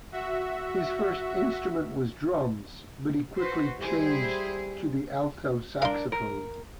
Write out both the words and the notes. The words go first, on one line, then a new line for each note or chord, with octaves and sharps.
His first instrument was drums, but he quickly changed to the alto saxophone.
F#4 E5
F#4 B4 C5
G3 E4 G#4 C5
D4 A#4 F5 C6
A#4